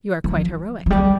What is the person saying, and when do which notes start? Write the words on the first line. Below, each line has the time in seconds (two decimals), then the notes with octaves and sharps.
"You are quite heroic."
0.24 F3
0.86 F3
0.90 G3